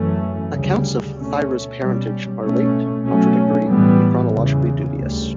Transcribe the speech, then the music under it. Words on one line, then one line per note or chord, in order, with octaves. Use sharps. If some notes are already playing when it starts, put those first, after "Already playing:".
Accounts of Thyra's parentage are late, contradictory and chronologically dubious.
Already playing: F#2 E3 A3 C#4
D2 C#3 G3
B2 A3 C#4
B2 G3 C#4
B2 A3 C#4
B2 F#3 A3 C#4
A2 E3 G3 B3
E2 C#3 E3
D2 C#3 G3